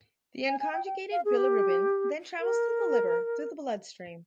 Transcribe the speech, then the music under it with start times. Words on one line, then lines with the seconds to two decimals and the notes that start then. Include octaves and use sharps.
The unconjugated bilirubin then travels to the liver through the bloodstream.
0.48 G#5
0.60 G#5
0.73 G5
0.86 G5
1.12 F5
1.25 G#4
1.37 G4
2.40 A#4